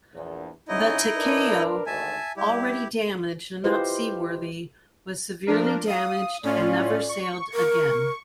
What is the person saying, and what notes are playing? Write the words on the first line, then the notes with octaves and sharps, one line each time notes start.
The "Takao", already damaged and not seaworthy, was severely damaged and never sailed again.
A#1 E2
D2 G#2 C#4 D#4 E4 D#5
D4 A#4 B4
G#1 D2 E5 G#5 A5
G3 E4 G4
E4 F4 G4 B4 C5 D#5
F3 D4 A#4
F5 D#6
A2 C#4 F4 D5
C#6
A#4